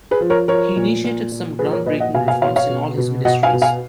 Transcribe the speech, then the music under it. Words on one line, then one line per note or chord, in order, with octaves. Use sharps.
He initiated some ground breaking reforms in all his ministries.
G#4 B4
F3
A#4 C#5
F3 A#4 C#5
A#2
A#2
A#2
F3 G#4 B4
A#4 C#5
A#2 B4 D#5
D#5 F#5
B2 F5 G#5
F5 G#5
B2 C#5 F5
C#5 F5
B2
B2
B2 D#5 F#5
F5 G#5
B2
F5 G#5